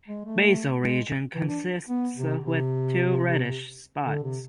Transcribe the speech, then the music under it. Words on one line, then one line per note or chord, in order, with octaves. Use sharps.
Basal region consists with two reddish spots.
G#3
A3
G#3
E3
D4
B3
C3
C3
D3
C3